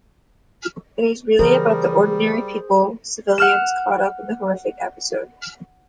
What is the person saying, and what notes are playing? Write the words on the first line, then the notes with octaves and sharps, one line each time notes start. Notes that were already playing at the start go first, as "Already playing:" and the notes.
It is really about the ordinary people, civilians, caught up in that horrific episode.
C#3 E3 G3 G#4 A#4 C5
F#5 F6 E7